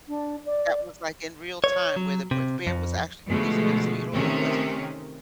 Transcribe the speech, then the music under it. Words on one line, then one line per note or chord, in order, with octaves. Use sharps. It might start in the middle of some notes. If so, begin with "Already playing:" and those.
that was, like, in real time where the br bear was actually chasing him, so you don't know whether
D4
D5
C#5
F#3
C3
F2
B2 D3 F3 G#3 A3
C3 D#3 A3 C#4